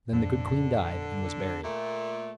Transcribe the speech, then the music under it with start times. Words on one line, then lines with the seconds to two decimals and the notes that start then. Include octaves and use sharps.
Then the good queen died, and was buried.
0.13 F2 A#2 D3
1.63 A#2 A3